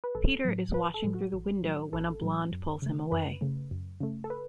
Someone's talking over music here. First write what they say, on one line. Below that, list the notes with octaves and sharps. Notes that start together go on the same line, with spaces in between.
Peter is watching through the window when a blonde pulls him away.
B4
A1 A4
A2 F#3
A1 B4
A4
A2 F#3
F#4
A1
A2 F#3
A1 A4
A2 F#3
F#2
C#3 A3
F#2 B4
C#3 A3
F#2
C#3 A3
A4
B4